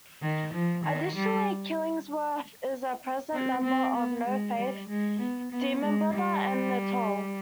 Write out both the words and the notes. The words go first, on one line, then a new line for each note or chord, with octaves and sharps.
Additionally, Killingsworth is a present member of No Faith, Demonbrother, and The Toll.
D#3
F3
D#3
G3
C4
C4
B3
G#3
G3
G#3
B3
B3
G#3
G3